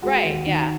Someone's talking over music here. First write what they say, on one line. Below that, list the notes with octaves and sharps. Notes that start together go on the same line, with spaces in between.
Right, yeah.
G#3 F#4
D#2
D#3